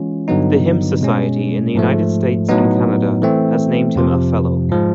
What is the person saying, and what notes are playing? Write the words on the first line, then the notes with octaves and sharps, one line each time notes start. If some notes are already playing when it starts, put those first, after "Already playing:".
The Hymn Society in the United States and Canada has named him a "fellow".
Already playing: E3 G#3 C#4 F4
G2 D3 F#3 B3 D#4
B2 G#3 C#4
G#2 F3 A3
A2 F#3 B3 D#4
E3 A3 C4
F2 C3 F3
G#2 F3 G#3